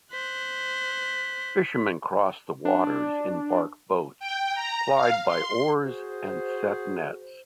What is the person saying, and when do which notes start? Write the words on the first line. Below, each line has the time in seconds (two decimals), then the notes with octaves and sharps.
Fishermen crossed the waters in bark boats plied by oars, and set nets.
0.12 C5 F#6 B6
2.65 D4
4.20 G5
4.55 A#5
4.95 F5
5.27 C6
5.83 F#4 G#4 C5